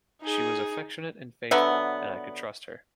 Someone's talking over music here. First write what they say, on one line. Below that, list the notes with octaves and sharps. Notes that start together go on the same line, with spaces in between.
She was affectionate and faithful, and I could trust her.
D#4 G#4
D3 F#3 B3 E5